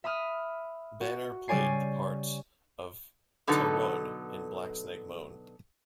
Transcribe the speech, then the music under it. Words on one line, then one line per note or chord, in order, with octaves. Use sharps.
Banner played the part of Tehronne in "Black Snake Moan".
E5 B5 D#6 F6
F#4
C#3 G3 C#5 D5 G#5 C7
B2 D3 F#3 B3 D#4 A4